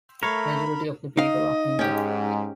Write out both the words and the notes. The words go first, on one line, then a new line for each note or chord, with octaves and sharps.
Majority of the people are Hindu.
A3 A#4 C#5 F5 B5
D#4 D#5 F5
G#2 C#4 G4